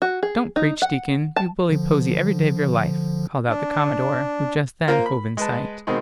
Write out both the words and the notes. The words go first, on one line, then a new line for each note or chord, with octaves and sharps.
"Don't preach, Deacon, you bully Posy every day of your life," called out the Commodore, who just then hove in sight.
F#4
G#4
D#4
F#5
A5
D3 F3
D4
A#3 F4 A#4 C5
B5
G#3 B4 A5
B2 D#3 G#3 C4